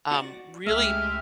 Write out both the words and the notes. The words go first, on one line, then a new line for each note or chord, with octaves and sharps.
um, really
F#4 D5
C#2 G#3 A3 G4 E5 F6